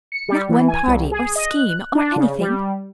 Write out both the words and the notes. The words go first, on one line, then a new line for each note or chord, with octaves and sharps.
Not one party, or scheme, or anything.
C#7
G3
E3
G#5
C2
G#4
D#5
F#6
D4
C#3
G3